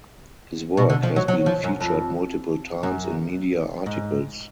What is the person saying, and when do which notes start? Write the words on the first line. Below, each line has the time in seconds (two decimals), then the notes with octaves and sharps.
His work has been featured multiple times in media articles.
0.77 B2
0.90 D3
1.03 F3
1.16 F#3
1.28 F#3
1.46 F3
1.64 F#2
1.80 F2
2.83 F#2
3.86 G#2